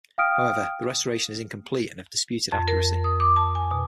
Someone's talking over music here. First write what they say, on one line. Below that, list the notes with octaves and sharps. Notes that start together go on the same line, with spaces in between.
However, the restoration is incomplete and of disputed accuracy.
F5 G5 D#6 F6 D7
F2
A#4
D#6
D6
A5
G#5
B2